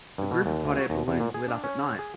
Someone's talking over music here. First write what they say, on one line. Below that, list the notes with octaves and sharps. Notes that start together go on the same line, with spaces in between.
A group of hot air balloons lit up at night.
G2
B2
D#2
D2
F#4
D#2
E2
A#2
G#4
D4
C#4
G#4